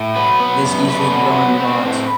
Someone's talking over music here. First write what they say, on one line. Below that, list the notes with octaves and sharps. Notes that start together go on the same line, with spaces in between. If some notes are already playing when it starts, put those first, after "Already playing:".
It is easily grown in pots.
Already playing: A2
F#3 B4
B3
F#2
D3 B4
F#3
B3
C4
A2